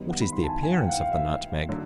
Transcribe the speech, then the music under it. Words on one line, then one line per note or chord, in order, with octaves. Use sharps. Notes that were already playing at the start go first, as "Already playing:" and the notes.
What is the appearance of the Nutmeg?
Already playing: F#2 D#3 G3 B3
F#5
B5
C6
A5
G#5
G#5
F#5
G5
F5
F#5
F5
E5
D3 F#3